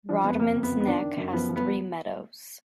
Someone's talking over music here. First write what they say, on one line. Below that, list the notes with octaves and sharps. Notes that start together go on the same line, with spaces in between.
Rodman's Neck has three meadows.
F3 D4
F2 B3
F2 A#3
F2
B3
F2
B3
D#3 D4
D#3
F#2
F3 B3
F3
B3